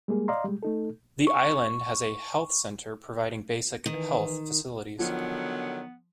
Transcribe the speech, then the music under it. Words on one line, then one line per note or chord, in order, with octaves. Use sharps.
The island has a health center providing basic health facilities.
G3 G#3 A#3 G#4
D5 D#5 F5 A#5 C6
G3 G#3
A3 D#4 A4
C#6
D#3 E3
D3 D#3 F3 F#3 B3